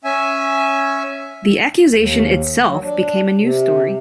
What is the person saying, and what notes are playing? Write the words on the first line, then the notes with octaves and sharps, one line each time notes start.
The accusation itself became a news story.
C#4 E5 G#5
D#2
F#3
D4
C3